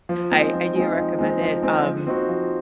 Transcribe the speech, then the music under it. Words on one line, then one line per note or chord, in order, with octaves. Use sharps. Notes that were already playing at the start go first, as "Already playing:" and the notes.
I I do recommend it, um,
F3
G#3 C4 D#4
F3
G#3 C4 D#4
F3
G#3 C4 D#4
F3
G#3 C4 D#4
F3
C4 D#4 F#4
F3